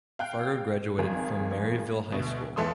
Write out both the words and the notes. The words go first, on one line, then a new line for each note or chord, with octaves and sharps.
Fargo graduated from Maryvale High School.
F5 G5 F#6
G#1 F2 G#4 A#4
D2 B2
B1 E2 E3 A4 C6 D#6